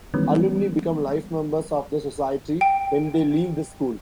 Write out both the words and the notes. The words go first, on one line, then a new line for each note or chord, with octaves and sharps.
Alumni become life members of the Society when they leave the school.
D#3 E3 G3 G#3 B3 C#4
G5